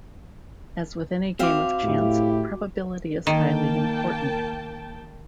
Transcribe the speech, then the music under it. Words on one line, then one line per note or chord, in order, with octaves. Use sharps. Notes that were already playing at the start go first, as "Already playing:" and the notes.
As with any game of chance, probability is highly important.
C4 F#4 E5 F5 D6
A2 E4 G4
D#3 A#3 G5 A5